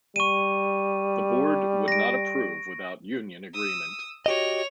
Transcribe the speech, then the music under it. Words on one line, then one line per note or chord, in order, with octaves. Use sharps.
The Board would not approve without union agreement.
G3 C#6 D#7
A#6 D7
D#6 E6
F#4 G4 C#5 D#5 F7